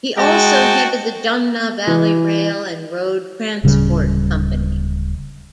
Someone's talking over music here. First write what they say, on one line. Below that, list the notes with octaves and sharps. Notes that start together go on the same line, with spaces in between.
He also headed the Jumna Valley Rail and Road Transport Company.
G#3 F#4 G5 A5
E3
D1 C#3 G3